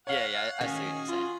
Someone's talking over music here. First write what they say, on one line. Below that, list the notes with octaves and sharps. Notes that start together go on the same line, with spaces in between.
Yeah, yeah, I see what you're saying.
C#5 F5 F#5
D#3 C#4 F#4 G#4
F4